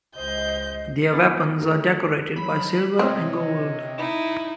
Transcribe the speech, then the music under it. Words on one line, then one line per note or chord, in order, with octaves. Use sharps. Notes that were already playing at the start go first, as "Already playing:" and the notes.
Their weapons are decorated by silver and gold.
C#2 C5 D#5 G6
B3 E4 G#5 A6
D3 A3 A#4
F3 F#3 B5
C3 C4 C#5 D#5
D#4 E4